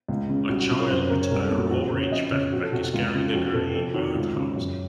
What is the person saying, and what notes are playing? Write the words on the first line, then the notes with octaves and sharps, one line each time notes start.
A child with a orange backpack is carrying a green bird house.
C#2
C#3
C2 F#4
F#4
C3 F4
A#4
F#2 C5
C5
C#3 A#4
C#5
C2 A#4
A4
A#2
F#4
A4
F2 F#4
F#4
C#3
C#5
F2 D#5
C#3 C#5
F2 F#4
A4
C3 F#4
F#4
C#2 F4
C#3 F4
A4
F2 F#4
F#4
C3 A4
F2 A4
D#3 F#4
C#2 F4
C#3
F#2